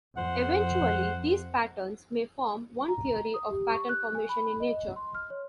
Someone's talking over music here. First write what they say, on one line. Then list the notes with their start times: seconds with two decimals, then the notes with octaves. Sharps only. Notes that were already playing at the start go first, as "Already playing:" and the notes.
Eventually, these patterns may form one theory of pattern formation in nature.
0.17 F2 C5 F#5
2.88 A#5
3.34 D#6
3.50 G4
3.72 C#6
3.89 F#6
4.15 G#5
4.29 B5
4.60 D#5
4.96 C6
5.15 F6
5.30 C#5